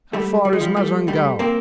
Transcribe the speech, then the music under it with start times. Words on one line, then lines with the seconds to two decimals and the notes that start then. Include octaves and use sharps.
"How far is Mazingarbe?"
0.13 G3 A3
0.45 G3
0.53 G#3
0.61 F3 G3
0.77 G3 A3
1.08 G3 A3
1.39 A#3 C4